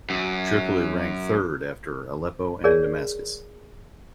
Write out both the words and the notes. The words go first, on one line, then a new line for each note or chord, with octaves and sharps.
Tripoli ranked third after Aleppo and Damascus.
F#2
G#4 A#4 C#5 D5